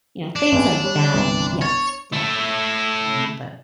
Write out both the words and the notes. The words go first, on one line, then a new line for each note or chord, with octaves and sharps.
you know, things like that, yes, definitely, you know? But,
D4
A1 E2 G#5
G3 C#5
G1 C2
C#5 A6
A3 E4